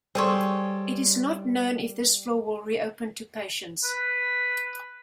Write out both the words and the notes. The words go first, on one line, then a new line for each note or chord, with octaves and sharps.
It is not known if this floor will reopen to patients.
G3 G#4 A4 C5 C#5 C6
B4